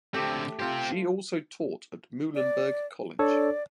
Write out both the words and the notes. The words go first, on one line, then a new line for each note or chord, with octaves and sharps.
She also taught at Muhlenberg College.
D3 A3 C4 G4
C4 F4 G4 C5
D5
D4 A4 C#5 D5